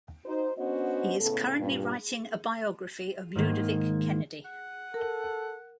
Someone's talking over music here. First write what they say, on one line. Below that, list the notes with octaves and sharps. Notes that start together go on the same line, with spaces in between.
He is currently writing a biography of Ludovic Kennedy.
D#4 F#4 C5
B3 C#4 D4 F#4 C5 D#5
A2 C#3 B3 A4
G2 A#2
G#2 D#3 A#3
F#5
A4 A#4